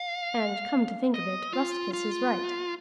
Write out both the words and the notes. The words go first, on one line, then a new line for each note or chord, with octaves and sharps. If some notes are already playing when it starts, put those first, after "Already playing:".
And come to think of it Rusticus is right.
Already playing: F5
D#5
F4
F4